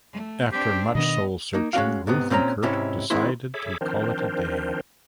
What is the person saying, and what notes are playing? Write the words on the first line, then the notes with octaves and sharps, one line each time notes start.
After much soul- searching, Ruth and Kurt decided to call it a day.
A3
C4 D4 G4
B2 D#3 B3 D4 D#5
A#3 D#4
G#3 C#4 D4 F#4 F5
G#2 C3 B3
A#2 C4 C#4 B4 A#5
G#2 C3 C#4 E4
D#3 G#3 C4 E4 C5
G#4 A4 C#5 E5 B5 D6
D#3 F3 C4 D4 A#4 C5